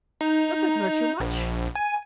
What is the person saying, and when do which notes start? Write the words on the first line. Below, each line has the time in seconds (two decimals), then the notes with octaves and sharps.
Does it hurt you much?
0.21 D#4
1.20 A#1
1.75 G#5